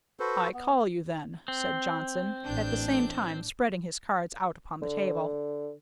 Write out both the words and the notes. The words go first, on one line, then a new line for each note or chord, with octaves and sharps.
"I call you, then," said Johnson, at the same time spreading his cards out upon the table.
F#4 A4 B4 C5
B3
C4
A1 D4 G6
D3